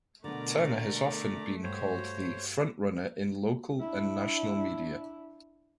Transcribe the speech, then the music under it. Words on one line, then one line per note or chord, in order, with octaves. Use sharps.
Turner has often been called the "frontrunner" in local and national media.
B2 D3 A3 B3 A#4 D5 A#5 D6
G2 F#4 C5 C#5
D4 E4